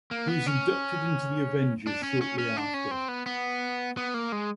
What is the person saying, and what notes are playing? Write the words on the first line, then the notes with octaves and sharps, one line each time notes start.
He is inducted into the Avengers shortly after.
A#3
B3
C#4
D4
C#4
C#4
C#4
D4
C#4
C4
B3
B3
B3
A#3
G#3